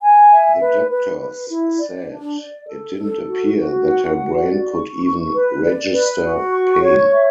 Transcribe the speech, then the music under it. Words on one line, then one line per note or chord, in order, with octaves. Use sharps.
The doctors said it didn't appear that her brain could even register pain.
G#5
E5
B4
B4
B4
E4
D5
D4
D5
A4
A4
F#4
F#4
F#5
F#4
D5
C#6
C#6
B4
D5
B4
F#4
C#6
C#5
E5